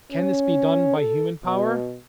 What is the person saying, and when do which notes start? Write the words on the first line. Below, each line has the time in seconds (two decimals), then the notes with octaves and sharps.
Can this be done by human power?
0.11 C#4
0.97 A4
1.45 B2